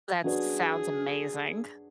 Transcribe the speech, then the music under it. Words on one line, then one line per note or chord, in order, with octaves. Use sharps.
That sounds amazing.
F#3 D4 F#4 G#4 B4 D5